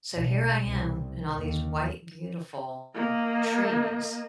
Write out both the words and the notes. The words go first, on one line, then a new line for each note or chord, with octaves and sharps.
so here I am in all these white, beautiful trees,
B1
C2
D#2
A#3 D#5